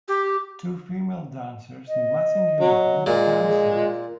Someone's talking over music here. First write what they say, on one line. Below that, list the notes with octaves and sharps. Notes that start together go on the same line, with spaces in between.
Two female dancers in matching uniforms dancing.
G4
D#5
F#3
A#2 G#3 F4
G#4
F4